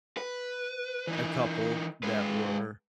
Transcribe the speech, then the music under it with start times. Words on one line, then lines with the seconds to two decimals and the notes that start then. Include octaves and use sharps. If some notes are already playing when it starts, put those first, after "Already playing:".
a couple that were
0.17 B4
1.07 E3 D#4
2.03 G#3 B4